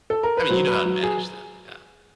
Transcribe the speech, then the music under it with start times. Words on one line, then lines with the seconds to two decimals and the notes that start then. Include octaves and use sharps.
I mean, you know how to manage them, yeah.
0.10 A4
0.23 A#4
0.37 B4
0.49 F#3 C5
0.67 B4
0.86 F#3
1.03 G#4